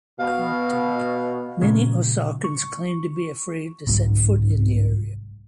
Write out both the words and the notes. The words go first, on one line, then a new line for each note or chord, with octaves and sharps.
Many Osakans claim to be afraid to set foot in the area.
B2 F5
A#2 C#3 F3 G#3
C#6
G1 C2 G#2 F#3